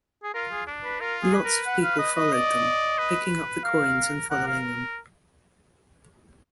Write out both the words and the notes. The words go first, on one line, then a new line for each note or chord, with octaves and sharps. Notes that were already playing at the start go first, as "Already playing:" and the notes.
Lots of people followed them, picking up the coins and following them.
G#4
F4 A#4
G#4
D4
B4
F4 A#4
G#4
B4
A#4
F#5
F5
D#5
D#5
D5
B4
A#4 F5
A#4 F#5
F5